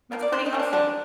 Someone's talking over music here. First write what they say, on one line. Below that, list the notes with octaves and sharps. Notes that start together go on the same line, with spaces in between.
that's pretty healthy.
F3 A#3
D5
C3 C5
D#4
F3 A#3
D4
D3 D4